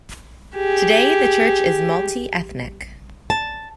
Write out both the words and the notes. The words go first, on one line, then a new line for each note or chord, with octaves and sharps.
Today, the church is multi-ethnic.
G4 G#4
A5